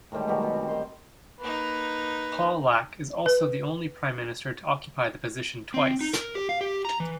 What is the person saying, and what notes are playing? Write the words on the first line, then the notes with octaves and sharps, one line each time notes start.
Pawlak is also the only prime minister to occupy the position twice.
A2 D#3 G3 G#3
B2 D#3 F#3 G3
G3 B3
G3 C4
D#3 C5
A#3 D#4 B4
B4
C4
D#4
A#4
G4
F5
G4
A#5
E3